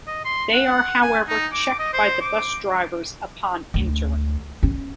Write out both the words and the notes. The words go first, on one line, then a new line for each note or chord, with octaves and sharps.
They are however checked by the bus drivers upon entering.
D#5
C6
F#5
G#5
D#4
D6
D#5
C5
D6
D2
C#4